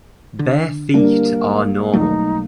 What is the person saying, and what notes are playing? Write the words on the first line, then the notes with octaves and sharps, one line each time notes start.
Bare feet are normal.
D3
G3 A#3 D4 A#4
B1 F#3 A3 D#4